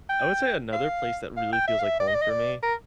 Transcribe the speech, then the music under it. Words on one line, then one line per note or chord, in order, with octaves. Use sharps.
I would say another place that really feels like home for me,
G5
F5
F5
G5
E5
F5
E5
D5
D#5
D5
D#5
D5
A#4